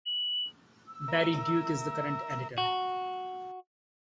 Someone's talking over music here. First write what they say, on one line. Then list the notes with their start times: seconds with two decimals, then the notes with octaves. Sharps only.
Barry Duke is the current editor.
0.06 F#7
0.87 E6
1.08 A#4 E5
2.58 F#4